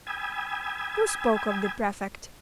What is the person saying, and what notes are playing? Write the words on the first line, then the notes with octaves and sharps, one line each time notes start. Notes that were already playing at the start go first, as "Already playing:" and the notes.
'Who spoke of the prefect?
G5 G#5 B5 D#6 E6 G#6